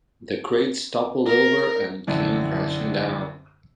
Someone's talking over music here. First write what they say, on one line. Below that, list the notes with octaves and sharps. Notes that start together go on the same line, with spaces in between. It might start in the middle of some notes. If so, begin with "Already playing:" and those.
The crates toppled over and came crashing down.
A#4
A#1 F#2 D3 E3